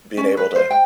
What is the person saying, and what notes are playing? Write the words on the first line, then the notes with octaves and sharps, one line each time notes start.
being able to
C#4
B4
C5
G5